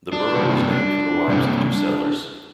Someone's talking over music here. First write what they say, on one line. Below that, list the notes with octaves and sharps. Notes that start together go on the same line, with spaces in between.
The borough was named for the wives of two settlers.
D4
C3 G3 A#3
C3 G3 A#3